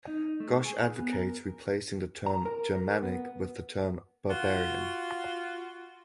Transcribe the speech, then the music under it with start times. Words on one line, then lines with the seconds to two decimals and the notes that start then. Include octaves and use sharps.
Ghosh advocates replacing the term "Germanic" with the term "barbarian".
0.08 D#4
0.40 A3
0.65 G#4
0.96 B3
1.13 A#4
2.26 A#5
2.46 A#4
2.75 A#4
3.03 B3
4.29 F4 F#4